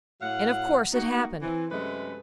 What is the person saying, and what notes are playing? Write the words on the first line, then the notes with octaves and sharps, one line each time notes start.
And of course it happened!
A2 F#3 F5 F#5
A#3 D#4 F#4
E3 C4
F#2 C3 G#3 A3 B4